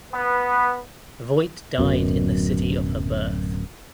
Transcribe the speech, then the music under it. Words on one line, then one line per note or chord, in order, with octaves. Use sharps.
Voigt died in the city of her birth.
B3 B4
D1 F#2 B2